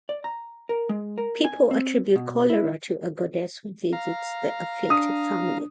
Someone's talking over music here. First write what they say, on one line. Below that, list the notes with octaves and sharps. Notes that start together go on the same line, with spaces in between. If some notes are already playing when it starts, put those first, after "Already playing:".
People attribute cholera to a goddess who visits the afflicted family.
D5
A#5
A#4
G#3
A#4
G#5
C4
B2
E4
F5 A#5
D4 D#6